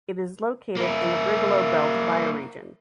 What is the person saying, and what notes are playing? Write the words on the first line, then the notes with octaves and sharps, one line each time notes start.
It is located in the Brigalow Belt bioregion.
A#3 E4